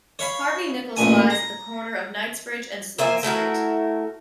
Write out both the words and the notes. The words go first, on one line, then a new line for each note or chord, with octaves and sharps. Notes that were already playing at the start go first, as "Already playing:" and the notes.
Harvey Nichols lies at the corner of Knightsbridge and Sloane Street.
C#5 F5 B5
A1 A#2 G#5
A#5
A#3 C5 E5 G#5
A3 E4 F#4 A#4